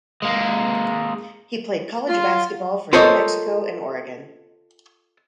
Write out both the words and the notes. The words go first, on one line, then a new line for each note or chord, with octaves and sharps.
He played college basketball for New Mexico and Oregon.
G#3 A#3
F4
F4 A4 A#4 C5 C#5 D#5